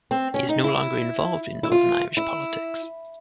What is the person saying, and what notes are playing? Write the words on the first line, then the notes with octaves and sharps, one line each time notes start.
He is no longer involved in Northern Irish politics.
C4
C#4
D#4
E4
E4
F4
E4